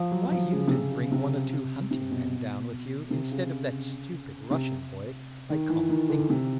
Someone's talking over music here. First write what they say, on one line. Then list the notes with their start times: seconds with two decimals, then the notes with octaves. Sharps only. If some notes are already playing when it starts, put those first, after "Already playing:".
"Why you didn't bring one or two hunting men down with you, instead of that stupid Russian boy, I can't think."
Already playing: F3
0.11 F#3
0.32 F3
0.52 C#3
0.68 C3
0.72 C#3
0.92 C#3
1.12 C3
1.91 C3
2.11 B2
3.11 C3
3.31 C#3
4.51 C3
5.50 D#3
5.70 E3
5.89 D#3
6.09 D3
6.30 C3